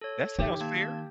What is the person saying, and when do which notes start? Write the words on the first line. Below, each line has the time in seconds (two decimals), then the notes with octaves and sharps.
That sounds fair.
0.01 A4 C#5
0.39 D#3 D#4 G4
0.60 A#3 A5 G#6